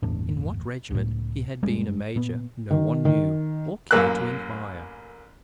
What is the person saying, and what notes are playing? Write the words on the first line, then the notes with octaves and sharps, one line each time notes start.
In what regiment he had been a major no one knew or cared to inquire.
G1 E2 A2 D4
C#2 A2
F#1 G3 G#3 C#4
A#2 B3
D#3
D#3
A1 F#2 A#3 E6 F#6